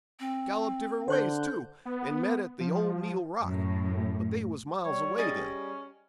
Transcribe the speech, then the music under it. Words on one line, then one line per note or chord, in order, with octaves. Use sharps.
'Gallop different ways, too, and met at the old needle-rock. But they was miles away then.'
C4
D3 C5 F#6 G6
B3
F3
F#2 A2
G3 C#5
C#4 G#4 D5 D#5